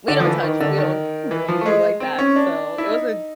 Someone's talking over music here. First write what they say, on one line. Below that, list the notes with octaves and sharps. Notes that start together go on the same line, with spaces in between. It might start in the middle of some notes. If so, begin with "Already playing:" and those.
we don't touch. We don't do anything like that, so, it was a
D3
F3
E3
D#3
D3
D#3
E3
F3
A3
G#3
C4
C#4
D4
E4
D#4